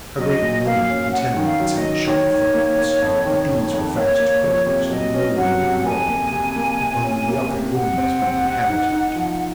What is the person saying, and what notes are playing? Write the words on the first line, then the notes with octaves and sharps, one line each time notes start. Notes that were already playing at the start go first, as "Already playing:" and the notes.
A great many of the tenements had shop-fronts; but these were fast closed, and mouldering away; only the upper rooms being inhabited.
F#3 D#5
A#2
A#3 F5
C#4
C#4 F#5
D#3
F5
F#3
D#5
D#3
D#3 C#5
D#3
A#3
A#3
F2
D#3
F2
F2
A#3 C#5
A#3
F3
C3
F#3 D#5
C#4
F#3 F#5
C3
F2 G#5
A#3
C3
A#3
C3
C#4
A#3
C3
C3 F#5
C4
C4
C3
D#4
D#4
F3